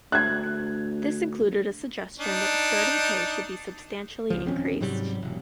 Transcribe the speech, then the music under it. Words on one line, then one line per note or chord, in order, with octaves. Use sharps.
This included a suggestion that the starting pay should be substantially increased.
D2 F#6 G#6
D4 D#4
C#2 F3
D#1 C4 C#4
G#2 C3 F#3 G3
E1